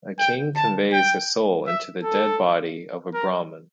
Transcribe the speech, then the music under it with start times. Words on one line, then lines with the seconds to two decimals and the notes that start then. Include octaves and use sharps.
A king conveys his soul into the dead body of a Brahman.
0.19 G5
0.56 A5
0.92 G5
1.67 E5
2.03 A4
3.14 A#4